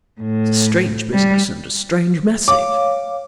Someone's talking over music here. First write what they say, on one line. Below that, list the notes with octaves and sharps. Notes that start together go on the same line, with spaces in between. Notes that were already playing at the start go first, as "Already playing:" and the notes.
It's a strange business and a strange message.
A2
G3
C#5 F5 D6